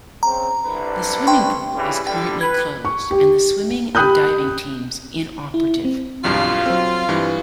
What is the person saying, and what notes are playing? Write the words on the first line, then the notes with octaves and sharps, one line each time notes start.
The swimming pool is currently closed, and the swimming and diving teams inoperative.
C#3 C4 A#5
C2 D3 B4
G5 C6 C#6
C#3 E3 G3
D3 G3 G5
B4 G#6
C#6
G4
G4 G5 B5 D#6 F#6 G6
E4
C4
B1 E2 G2 F4
F#3 C4 A4 C5
G2 E3